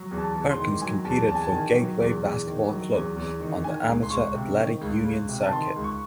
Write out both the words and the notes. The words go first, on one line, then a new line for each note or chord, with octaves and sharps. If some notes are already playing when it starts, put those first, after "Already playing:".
Perkins competed for Gateway Basketball Club on the Amateur Athletic Union circuit.
Already playing: F#3
E2
A5
E2
C6
D#3
F#3 G#5
E2 A5
E2 A5
G#5
A5
D#3 G#5
F#3
E2
E2
D#3
F#3
E2
E2
D#3
D#3 G#5
C#2
C6
C#2 C#6
C3
D#3
C#2
C#2
C3
A5
D#3 C6
C#2
C#6